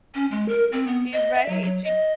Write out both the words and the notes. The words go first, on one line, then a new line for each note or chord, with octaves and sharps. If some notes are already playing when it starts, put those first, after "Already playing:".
e right, she
C#4
G#3
A#4
C4
B3
D#5
E5
F#3
F#3
D#5